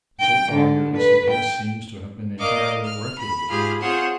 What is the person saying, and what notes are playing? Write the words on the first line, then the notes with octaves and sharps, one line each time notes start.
"So far, your list of guests seems to have been entirely reputable."
G5
D3
B4
G5
A#4 D5 D#5 F5 D6
F6
B5
G#2 F4 G4 G#4 B5 F6
C4 F4 G#4 C5 C#5 F#5